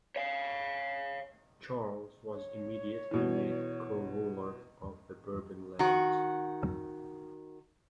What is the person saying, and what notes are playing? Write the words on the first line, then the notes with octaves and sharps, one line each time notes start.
Charles was immediately made co-ruler of the Bourbon lands.
C#5 F5
C#5
B2 E3
D#3 F#4